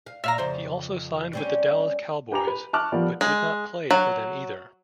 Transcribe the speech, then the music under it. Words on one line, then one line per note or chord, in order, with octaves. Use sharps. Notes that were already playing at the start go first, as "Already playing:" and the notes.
He also signed with the Dallas Cowboys but did not play for them either.
F5
A#2 E5 F5 A#5
F2 C#3 C5 E5
G3 C4 C#4
G4 B4 G#5 A#5 D6 F7
B4
A5 C#6 D6 F6 F#6
F3 G3 B3 F4 A#4 D5
G#3
F#3